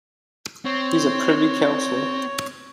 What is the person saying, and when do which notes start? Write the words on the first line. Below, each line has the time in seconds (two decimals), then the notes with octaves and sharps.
He is a Privy Counsellor.
0.65 C4 C#5